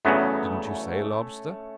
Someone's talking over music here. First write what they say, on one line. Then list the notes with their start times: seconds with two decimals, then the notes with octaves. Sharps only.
"Didn't you say lobster?"
0.05 E2 C#3 F#3 A3 B3 C#4